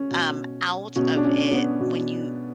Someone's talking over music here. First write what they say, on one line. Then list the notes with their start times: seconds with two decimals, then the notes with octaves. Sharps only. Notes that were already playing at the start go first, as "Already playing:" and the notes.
um, out of it, when you
Already playing: C#4
0.11 B2
0.96 B2 C#4
1.16 D4
1.24 C#4
1.51 B3
1.80 B2